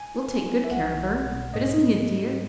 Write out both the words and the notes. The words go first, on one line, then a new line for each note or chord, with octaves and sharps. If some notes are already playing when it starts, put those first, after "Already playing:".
We'll take good care of her. But isn't he a dear?
Already playing: G#5
E4
F#3
E5
B1 F#5
B1
B2
G#2 D#5
G#2
G#2